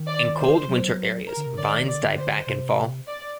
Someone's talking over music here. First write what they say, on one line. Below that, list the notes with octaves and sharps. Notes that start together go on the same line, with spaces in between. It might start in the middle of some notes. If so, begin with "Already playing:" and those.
In cold winter areas, vines die back in fall.
Already playing: D#3
D5
C5
F#3
A#4
D3
C3
D3 D5
D#3
D3 D5
C5
C3
D5